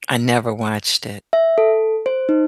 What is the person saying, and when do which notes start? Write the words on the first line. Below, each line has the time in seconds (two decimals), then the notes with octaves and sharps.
I never watched it.
1.33 E5
1.58 A4
2.06 C5
2.29 D#4